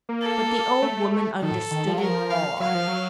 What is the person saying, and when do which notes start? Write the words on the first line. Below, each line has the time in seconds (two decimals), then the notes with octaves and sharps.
But the old woman understood it all.
0.09 A#3
0.23 A4
0.82 A3
0.97 A3
1.42 D#3 A4
1.51 A2
1.71 D#3
1.87 F3
1.98 F#3 A#4
2.09 F3
2.30 F5
2.60 F#3 F5
2.75 F3
2.87 F#3